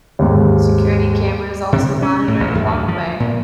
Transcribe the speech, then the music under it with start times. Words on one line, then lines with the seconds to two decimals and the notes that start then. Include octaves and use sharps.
Security cameras also monitor the walkway.
0.19 D#2 G#2
1.73 C3
2.02 C#4
2.28 A2
2.40 A1
2.55 F#2
2.67 D2
2.88 F3
3.20 A#2